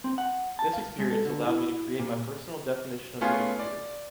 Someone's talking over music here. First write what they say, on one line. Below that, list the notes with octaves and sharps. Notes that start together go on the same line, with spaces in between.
This experience allowed me to create my personal definition of doing theater.
C4
F#5
A5
F5
G#3
A4
D3
E4
A#2
A3 B3 C#4 F4 G#4
D5